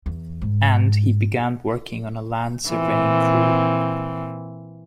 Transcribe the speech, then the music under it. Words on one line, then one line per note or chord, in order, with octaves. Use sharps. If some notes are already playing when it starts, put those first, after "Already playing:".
And, he began working on a land surveying crew.
E2
G#2
A#2 E3 C4